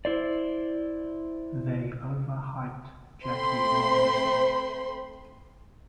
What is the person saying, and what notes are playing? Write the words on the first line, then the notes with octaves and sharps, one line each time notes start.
They overhyped Jackie Robinson.
E4 C5 D5
A3 C4 C5 B5 C6